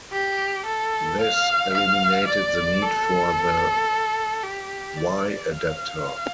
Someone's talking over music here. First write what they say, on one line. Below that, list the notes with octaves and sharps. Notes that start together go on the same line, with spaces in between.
This eliminated the need for the Y-adaptor.
G4
A4
F5
F5
D5
A4
G4
D5
F5